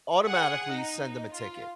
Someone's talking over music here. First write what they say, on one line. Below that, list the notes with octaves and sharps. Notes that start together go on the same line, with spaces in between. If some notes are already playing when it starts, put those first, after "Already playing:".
automatically send them a ticket."
G#4 F#5
D#4
F4